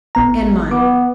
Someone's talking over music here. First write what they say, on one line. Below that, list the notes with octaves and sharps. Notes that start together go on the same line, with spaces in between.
"And mine."
A1 B3 A#5
B3 D6